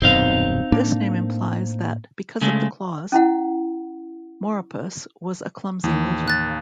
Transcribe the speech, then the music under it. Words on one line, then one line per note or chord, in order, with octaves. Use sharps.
This name implies that because of the claws, "Moropus" was a clumsy mover.
D#1 F#2 B2 C4 D#4 F5
A2 A#3 D4
C#3 G#3 A3
C#4 E4 F#5
D#2 A2 E3
F#6 A6
A#4 F5